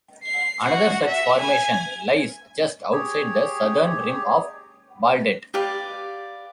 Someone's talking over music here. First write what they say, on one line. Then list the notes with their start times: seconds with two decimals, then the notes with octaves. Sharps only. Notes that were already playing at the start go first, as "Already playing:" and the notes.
Another such formation lies just outside the southern rim of Baldet.
0.23 C7
0.64 F#4
1.07 E5
1.39 G#5
2.93 G4 G#4 C#5
5.54 G4 B4 D5 F5